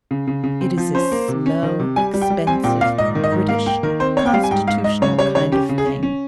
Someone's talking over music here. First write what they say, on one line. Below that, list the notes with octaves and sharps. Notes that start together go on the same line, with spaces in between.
It is a slow, expensive, British, constitutional kind of thing.
C#3
C#3
C#3
C4
F3
C#4 C5
A#3
C3
C#4
D#3
C3
G3 G#5
G3
G5
G3
C4 G#5
A#2 G5
A#2 F5
G#2 D#5
D#3
D#5
G#2
A#3 F5
A#3 G5
D#3 A#4
C4 C5
C4 C#5
G5
G3 F5
G#5
G#2 G5
G#2 F5
G#2 D#5
C#3 C#5
G3 C#5
C#3 C#5
C#4 G4
C#3
G#4
C#4
C#4